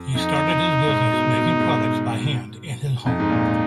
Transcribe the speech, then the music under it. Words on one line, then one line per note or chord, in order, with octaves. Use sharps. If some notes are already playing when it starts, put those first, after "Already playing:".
He started his business making products by hand in his home.
Already playing: F2
F2 D#4
G#2
B2
B2
G#2
F2 D#4
G#2
A#2